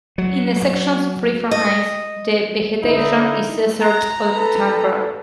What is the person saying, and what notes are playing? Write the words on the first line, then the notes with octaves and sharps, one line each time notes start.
In the sections free from ice, the vegetation is desert or tundra.
F#3
D#5
D3 D#4 E4
A#5
A4 B4